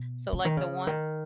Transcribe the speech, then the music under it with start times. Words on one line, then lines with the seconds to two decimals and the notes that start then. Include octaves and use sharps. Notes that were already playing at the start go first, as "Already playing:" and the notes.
so like the one
Already playing: B2
0.33 C#3
0.45 D#3
0.57 C#3
0.87 D#3